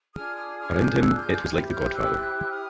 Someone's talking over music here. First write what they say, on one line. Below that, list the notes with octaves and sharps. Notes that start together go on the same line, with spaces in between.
Around him it was like "The Godfather".
D4 F4 G#4 D#6 F6
D#6 F6
D#6 F6
F6 G6
E6 F#6
F6 G6
F6 G6
E4 G4 C5
F6 G6
E6 F#6
E6 F#6
D#6 F6